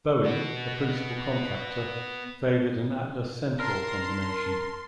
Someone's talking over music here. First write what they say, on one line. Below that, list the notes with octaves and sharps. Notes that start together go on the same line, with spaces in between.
Boeing, the principal contractor, favored an Atlas-Centaur combination.
B3 F#4
A#4 A5 C6 F6